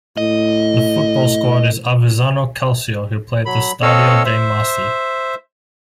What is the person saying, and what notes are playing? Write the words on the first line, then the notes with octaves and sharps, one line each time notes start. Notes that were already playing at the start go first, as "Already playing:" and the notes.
The football squad is Avezzano Calcio who play at the Stadio dei Marsi.
A2 D#5
F#3 B5
C4 A4 C#5 D#5 F5 E6
C5 E5